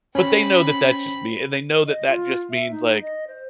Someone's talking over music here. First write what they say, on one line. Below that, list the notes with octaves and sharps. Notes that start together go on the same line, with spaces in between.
but they know that that's just me, and they know that that just means, like,
C4 C#4 B5
D#5
F4
E5
D#4
D#5
C5